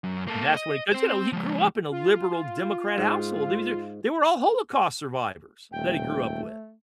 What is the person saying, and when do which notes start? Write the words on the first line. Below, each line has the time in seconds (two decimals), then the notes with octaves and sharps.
That's what it because, you know, he grew up in a liberal democrat household, they were they were all holocaust survivors, that he grew up with.
0.04 F#2
0.28 A#3 A4
0.56 D#5
0.92 C4 C5
1.33 F3 G#3
1.91 F4
2.98 G#2
5.72 D#1 A3 G5